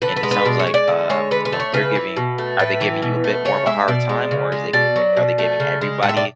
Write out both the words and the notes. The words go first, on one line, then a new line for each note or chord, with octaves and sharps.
and it sounds like, um, you know, they're giving are they giving you a bit more of a hard time, or is it i are they giving everybody,
D3 B4
B4
G#3
B4
B2 D5
C#5
G#3
D5
D3
G#3 C#5
D3 B4
B4
A3
C#5
C#3 B4
E3
B2
A3
A2 B4
E3
B2
A3
C#3 C#5
G#3 E5
B2 D5
G#3
C#3
G#3
B2 D5
F#3
B2
A3
C#3
G#3
A2 F#5
E5
D5